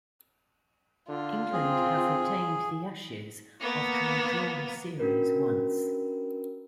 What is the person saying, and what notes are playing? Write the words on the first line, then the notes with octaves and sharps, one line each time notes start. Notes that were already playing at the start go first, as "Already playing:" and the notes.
England have retained the Ashes after a drawn series once.
D3 F4
C4 G#4
A#3 B3
C#4 D4 F#4 A#4 B4